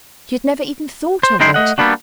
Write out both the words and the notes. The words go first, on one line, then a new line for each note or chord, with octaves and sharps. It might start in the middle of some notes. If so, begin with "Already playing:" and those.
She had never even thought of it.
C5
F#2 G#3 D#4 E4 G5 C6
A3 D#5 F#5
G3 A#3 B3 D4 F#4